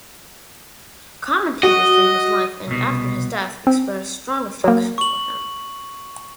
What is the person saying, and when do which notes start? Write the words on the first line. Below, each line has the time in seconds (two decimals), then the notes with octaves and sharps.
Commentators during his life and after his death expressed strong affection for him.
1.63 F#4 D#5
2.67 C2 B2
3.67 C4
4.64 F#3 A#3
4.98 C#6 F#7